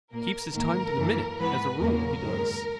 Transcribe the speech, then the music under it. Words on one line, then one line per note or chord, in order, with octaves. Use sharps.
"Keeps his time to the minute, as a rule, he does."
A#2 A#3 A#4
G#2 D#3 A#3 A#4
F#2 E3 A#3
G#2 E3 B3 B4
E2 C#3 F#3 A#3 A#4
F#2 D#3 G#3